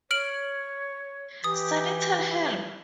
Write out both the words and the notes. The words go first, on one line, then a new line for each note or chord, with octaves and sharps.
Sentinel Help!
C#5 F6 D7 F#7
E3 G4 D#6